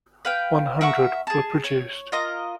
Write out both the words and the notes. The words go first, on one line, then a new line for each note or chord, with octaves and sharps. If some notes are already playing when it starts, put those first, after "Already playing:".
One hundred were produced.
B4 F5 G5
A#4 E5 F#5 C#6
G#4 A5
C#5
F4 A#4 D#5 A#5